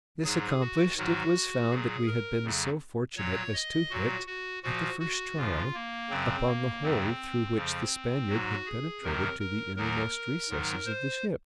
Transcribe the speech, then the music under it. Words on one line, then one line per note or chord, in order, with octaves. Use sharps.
This accomplished, it was found that we had been so fortunate as to hit, at the first trial, upon the hole through which the Spaniard had penetrated to the innermost recesses of the ship.
G#2 F#3 G#4
F#4
G#2 D#3 F#3 F#4
A#2 F#3 G#4
A#4
F2 C#3 F#3
A#2 F#3 C#5
D#5
A#2 F#3 F#4
F#4
A#2 F3 F#4
F#4
F#2 C#3 F3 F4
A#3
F#2 C#3 F#3 C4
A#3
F2 C#3 F#3 C4
F2 C#3 F3
G#2 F#3 F#4
G#4
F2 C3 D#3 F#3 A#4
A#4
D#2 D#3 F#3 A#4
G#2 D#3 F#3
C5